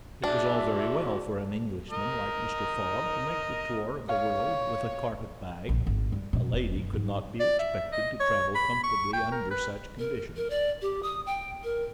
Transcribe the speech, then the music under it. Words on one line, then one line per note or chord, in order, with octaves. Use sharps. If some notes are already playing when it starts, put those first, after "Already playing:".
It was all very well for an Englishman like Mr. Fogg to make the tour of the world with a carpet-bag; a lady could not be expected to travel comfortably under such conditions.
D4 F#4 G#4 E5
A#4 D#5
C#5 F5
A#1
G#1
G3
B2
E1
F#2
G#2
D5
E5
D#5
C#5
B5
C#6
G5
A#4
B4
A#4
A#4
D5
G4
D#6
G5
A#4